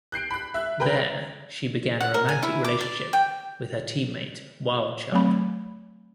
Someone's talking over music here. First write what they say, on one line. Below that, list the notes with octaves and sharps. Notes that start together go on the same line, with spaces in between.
There, she began a romantic relationship with her teammate Wildchild.
F#6 G6 C7 D7
B5 F#6
E5 F#6
A#4 B4 G5 B5 F#6 G6
F#5
A#4
G#5
E4
D6
D5
G5
F#3 A3 C4 B5